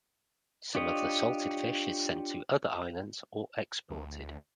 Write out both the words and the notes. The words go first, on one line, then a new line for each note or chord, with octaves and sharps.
Some of the salted fish is sent to other islands or exported.
D4 F4 G4 C#5 D#5
D2